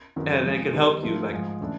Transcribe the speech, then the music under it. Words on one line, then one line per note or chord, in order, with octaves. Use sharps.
and it can help you, like,
F#2 D#3 F#3 B3
F3 G#3 C4
D#3 G3 B3 D#4 G4
F3 A3 D4 F4 A#4
G#2 F3 G#3
C#3 E3 A3 D4